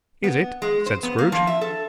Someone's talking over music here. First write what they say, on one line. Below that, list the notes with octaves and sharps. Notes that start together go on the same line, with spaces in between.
'Is it?' said Scrooge.
B3
G#3
C5
B3
A#3
F3
E5
A4